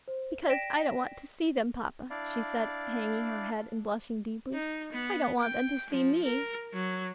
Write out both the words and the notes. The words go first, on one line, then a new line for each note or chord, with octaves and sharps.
"Because I don't want to see them, papa," she said, hanging her head and blushing deeply; "I don't want them to see me."
C5
D5 G5 A#6 B6 D7 E7
D4 E4 D5 F5
D#4
B3
G5
F3
A#4
F#3